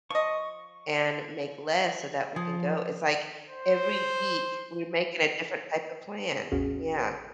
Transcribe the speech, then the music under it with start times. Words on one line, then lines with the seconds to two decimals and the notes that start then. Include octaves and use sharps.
and make less so that we can go" it's like every week, we're making a different type of plan. Yeah.
0.11 F3 D#5 C#6
2.36 F3 G#4
3.49 C5
6.52 A1 E2 C#4 F#4 G#4 F5